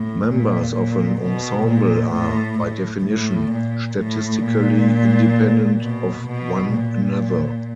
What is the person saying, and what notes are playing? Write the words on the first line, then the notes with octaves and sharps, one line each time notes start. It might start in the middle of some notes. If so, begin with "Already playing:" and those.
Members of an ensemble are, by definition, statistically independent of one another.
Already playing: A2
A#2
A#2
B2
A#2
A2
A2
A2
A#2
A2
A#2
B2
B2
A#2